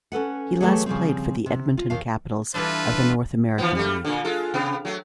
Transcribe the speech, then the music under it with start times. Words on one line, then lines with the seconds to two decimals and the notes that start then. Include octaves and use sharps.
He last played for the Edmonton Capitals of the North American League.
0.12 C#4 A4 B4 F#5
0.61 E3 F#3 A3 G4 G#4 C#5
0.86 C#3 F3 G3 C4
1.46 C3
1.77 F4
1.90 D#2 F5
2.54 E3 G3 D4 F4 A4 B4
3.58 E3 F3 B3
3.75 G3 A3
4.05 A#2 D3
4.24 G#3 F4 A4
4.54 C3 B3
4.85 F#3 A3